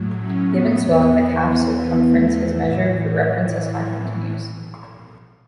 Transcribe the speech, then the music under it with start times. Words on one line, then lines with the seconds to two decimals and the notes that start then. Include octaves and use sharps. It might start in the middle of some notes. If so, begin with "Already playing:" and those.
Given swelling, the calf circumference is measured for reference as time continues.
Already playing: A2 F#3
0.17 C#4
0.47 B3
0.77 E2 E3
1.65 B3
2.10 A3
2.55 A2 E3